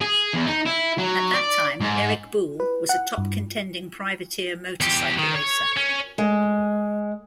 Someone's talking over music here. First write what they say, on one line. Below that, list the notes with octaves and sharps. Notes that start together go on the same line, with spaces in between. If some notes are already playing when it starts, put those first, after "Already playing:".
At that time, Erik Buell was a top contending privateer motorcycle racer.
G#4
E2
D#4
E4
F#3
D5
G#2
B4
F#5
G2
E2 G4
D#3
C#5
C#4
G#3